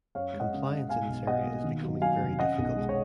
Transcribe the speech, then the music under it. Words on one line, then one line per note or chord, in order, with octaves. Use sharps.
Compliance in this area is becoming very difficult.
F#2 C#5 F5
G#3
D#5 F#5
C#3
G#3
B2 F5 G#5
B1
B2 D#5 F#5
A#3
D#3
F#3
F#3 F5 G#5
F1
C#4 D#5 F#5
B1
G#3
C#5